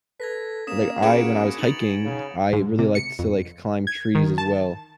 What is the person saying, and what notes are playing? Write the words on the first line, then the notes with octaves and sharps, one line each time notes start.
Like, I when I was hiking, I really liked to, like, climb trees as well,
A4 B4 G#6 A#6 B6
A#3 C#4 D#6 B6 E7
F#4 G#4 B4 C#7 D7 E7
D#4 A6 F7 F#7
C#3
G#2
C3
C#7
F2
G#6
D#3
A5